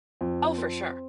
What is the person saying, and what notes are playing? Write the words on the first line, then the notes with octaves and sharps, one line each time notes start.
Oh, for sure.
F2
C4